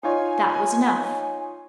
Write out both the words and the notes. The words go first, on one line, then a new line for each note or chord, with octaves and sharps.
That was enough.
D#4 F4 C#5 G#5